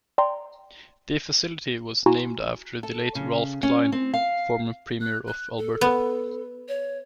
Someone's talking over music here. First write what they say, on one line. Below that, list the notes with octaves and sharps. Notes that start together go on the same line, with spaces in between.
The facility was named after the late Ralph Klein, former premier of Alberta.
D5 G5 A#5 C6
E4 F#4 G#5 A#5 C6
A4
C#3
C#4
C4
F5
F#6
F#6
A4
B3
C#5